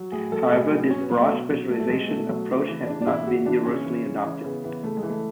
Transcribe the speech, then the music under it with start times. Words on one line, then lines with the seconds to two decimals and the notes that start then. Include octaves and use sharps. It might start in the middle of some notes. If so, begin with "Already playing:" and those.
However, this "broad specialization" approach has not been universally adopted.
Already playing: F#3
0.12 A2 G#4
0.32 F#3 A4
0.51 A2 G#4
0.71 F#3
0.91 B2 C#4
1.00 B3
1.10 F#3 B3
1.21 A3
1.31 B2
1.50 F#3
1.69 B2 A3
1.80 A3
1.90 F#3 G#3
2.08 B2 A3
2.29 F#3
2.49 C#3
2.68 E3
2.87 C#3 D4
3.01 D4
3.07 E3 E4
3.27 C#3 F#4
3.46 E3 D4
3.66 C#3 C#4
3.85 E3
4.06 C#3
4.24 E3
4.44 C#3 B3
4.64 E3 B3
4.83 C#3 A3
4.97 G#3
5.03 E3
5.10 A3